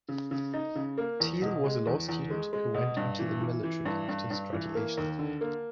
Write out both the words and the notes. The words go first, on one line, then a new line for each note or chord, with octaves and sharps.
Teele was a law student who went into the military after his graduation.
C#3
C#3
D#4
C#3
A#3
E2
B2
G#3
E2
E2
G#3
G#3
B2
G2
E3
E3
E3
G2
G2
G2
E3
A#3
D#2
D3
A#3